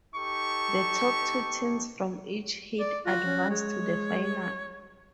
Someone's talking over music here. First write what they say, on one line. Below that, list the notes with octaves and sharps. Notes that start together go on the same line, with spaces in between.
The top two teams from each heat advanced to the final.
D#4 G4 A4 C#6
D5
F4 F#4
C#4
G#3 C#5